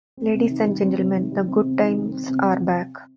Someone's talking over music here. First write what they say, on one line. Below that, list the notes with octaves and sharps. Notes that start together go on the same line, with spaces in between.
Ladies and gentlemen, the good times are back!
C4
C3
D#3
G3
C4
C3
D#3
G3
C4
C3
D#3
G3
C4
C3